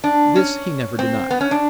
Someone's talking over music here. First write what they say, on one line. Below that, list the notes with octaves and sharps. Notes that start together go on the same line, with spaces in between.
This he never denied.
D4
C#4
C4
B3
C#4
D4